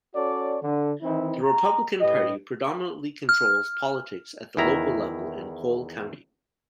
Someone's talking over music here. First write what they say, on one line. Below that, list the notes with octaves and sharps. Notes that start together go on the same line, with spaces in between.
The Republican Party predominantly controls politics at the local level in Cole County.
C#4 F#4 A4 C#5 D5
D3
D#3 E3 C4 D#4 E4
A#5
A2 G4 B4 D#5
F6
E2 D#3 E4 A#5